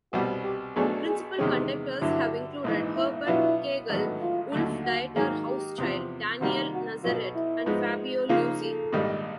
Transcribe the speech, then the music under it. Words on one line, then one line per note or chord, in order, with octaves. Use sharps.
Principal conductors have included Herbert Kegel, Wolf-Dieter Hauschild, Daniel Nazareth and Fabio Luisi.
C2 B2 G3 F#4
G4
B1 B2 F#3 A3 D4 G#4
G#4
E2 C3 D#3 G#3 C#4 G4
G2 D3 F#3 E4
A#1 G#2 E3
E4
B2 F#3 B3 D4 E4 F4
A1 G#2 D#3 F#3 B3
F4
D#2 D3 F#3 A3
F#4
G#2 D#3 F#3 A#3 G#4
G4
E2 C3 F3
C3 D#3 G3 A#3 F#4
F#4
B1 B2 F#3 F4
E4
G#2 F3 G#3 B3
C#3 F3 A#3 D#4 F4 G#4
A4
A#1 G#2 D#3 G3